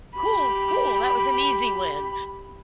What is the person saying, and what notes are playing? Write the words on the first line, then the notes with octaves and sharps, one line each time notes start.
Cool, cool. That was an easy win."
G4 B5